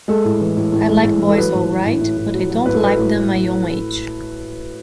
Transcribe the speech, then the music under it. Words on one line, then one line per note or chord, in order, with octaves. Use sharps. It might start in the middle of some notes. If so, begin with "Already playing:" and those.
I like boys all right, but I don't like them my own age.
G#3 A4
A2
E3
A2
A2
G#3
A2
E3
A4
F#3 B4
A2
F#3
A2
A2
A2
F#3
F#3
A2 B4
A4
F#3 B4
A2